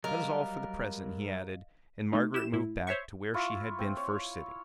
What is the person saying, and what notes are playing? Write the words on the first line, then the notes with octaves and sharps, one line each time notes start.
"That is all for the present," he added, and Margaret moved back to where she had been first sitting.
F#3 G3 A#4 D#5 F5
A3 D#4
E4 G4 E7
A2 E4
C5 C#5 E5 C#6
E4 F4 C#6
C4
C#5